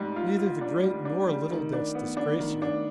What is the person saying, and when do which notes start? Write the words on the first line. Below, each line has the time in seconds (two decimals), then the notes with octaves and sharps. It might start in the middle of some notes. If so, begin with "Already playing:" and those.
Neither the great nor little debts disgrace you.
Already playing: G#2 G3
0.16 F4
0.39 F4
0.61 D4
0.83 G3
1.05 D4
1.28 G3
1.50 D#3
1.73 D4
1.95 B3
2.17 D4
2.40 D#3
2.62 D4